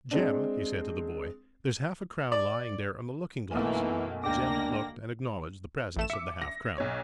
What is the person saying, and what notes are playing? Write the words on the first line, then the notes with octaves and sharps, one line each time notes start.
"Jem," he said to the boy, "there's half a crown lying there on the looking-glass." Jem looked and acknowledged the presence of the half-crown.
G#3 C4 D4
D5
B1 F#2 E3 A3 A#3 G#5
D2 A#3 D4 G5 D6 A#6
A1 A3 E7
E5 D6 C#7
A#6
B1 C#5